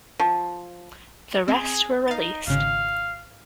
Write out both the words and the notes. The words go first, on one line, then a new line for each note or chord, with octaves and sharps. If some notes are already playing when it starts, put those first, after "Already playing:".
The rest were released.
F3
C4 G#4
D#4 F5 A6
G#1 C#3 F5